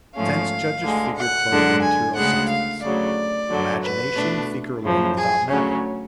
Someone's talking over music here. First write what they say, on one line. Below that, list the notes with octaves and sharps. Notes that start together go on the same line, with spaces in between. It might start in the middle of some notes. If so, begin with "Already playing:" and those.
Sense judges figure clothed in material substance, Imagination figure alone without matter.
G#2 F3 A3 C#4 F5
D2 D3 G#3
F#5
F#2 D3 G#3 D4
G#5
D2 C#3 G#3 D4 F#5
F5
D2 C#3 F#3 D5
F#2 D3 F#3
B4
B2 A3 D4
F#2 C#3 F3
G#4
D2 C#3 F#3 C#4